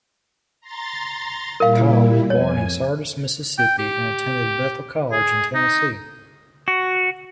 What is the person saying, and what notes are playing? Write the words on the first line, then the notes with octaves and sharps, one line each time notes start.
Kyle was born in Sardis, Mississippi and attended Bethel College in Tennessee.
A#5 C6 A6
A#2 G3 E4 A#4 F5
F2 C#5 G#5
G5
G4
G#4
D#4
F#4